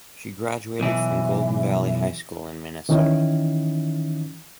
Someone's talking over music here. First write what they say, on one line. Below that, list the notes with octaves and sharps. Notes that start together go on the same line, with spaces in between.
She graduated from Golden Valley High School in Minnesota.
B1 E3
D#3 E3 C#4 D#4 E4